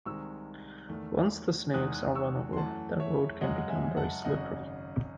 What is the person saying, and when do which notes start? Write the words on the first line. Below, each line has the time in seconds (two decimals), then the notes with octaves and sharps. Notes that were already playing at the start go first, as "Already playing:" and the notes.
Once the snakes are run over, the road can become very slippery.
0.05 C2 C3 D#3 G#3 C#6 E6
0.89 E2 D#3 A3
1.74 E2 D#3 G#3 D#6 F#6
1.95 D#6 F#6
2.15 C#6 E6
2.53 C6
2.57 F#2 E3 A3 F#5 A5
3.00 C#5 E5
3.41 F#2 C#3 G#3 D#5 F#5
3.58 F#5
3.69 E5 G#5
3.97 F#5 A5
4.25 G#1 F#2 C#3 D#5 F#5